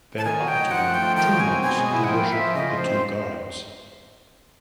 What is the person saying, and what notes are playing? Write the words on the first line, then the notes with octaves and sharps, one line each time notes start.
There ought to be two monks to worship the two gods.
A5
D#3 G#5
F#3
G5
D#4
F3 F#5
A3
G5
F3
D#3 G5
F#3
G#5
C4
B2 G#5
G#3
E4
F#5
F3 G5
A#3
E5
F3
C#3 D#5
F3
C5
C4